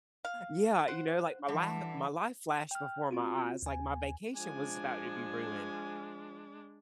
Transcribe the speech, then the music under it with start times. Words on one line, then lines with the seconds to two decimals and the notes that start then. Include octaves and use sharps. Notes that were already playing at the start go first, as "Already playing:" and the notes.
yeah, you know, like, my li my life flashed before my eyes, like, my vacation was about to be ruined,
0.25 F5
0.88 C5 F#5
1.48 D3 E3 G3
2.71 G5 F6
3.11 C4 F4 F#4
3.63 D#2 G#5
4.36 F3 G#3 D4 G#5